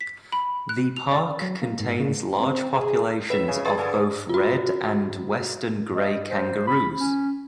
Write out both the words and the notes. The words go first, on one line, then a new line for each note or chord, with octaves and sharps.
The park contains large populations of both red and western grey kangaroos.
B6
B5
F#6
F7
D5
F#3
A#3
G#2
C#3
C4
G#4
A2 B4 E5
C#3 G#5
G2 G#4 D5 A5
D3 G#4 A4 G#5
F4 F#4
D#5
C5
B5
C#4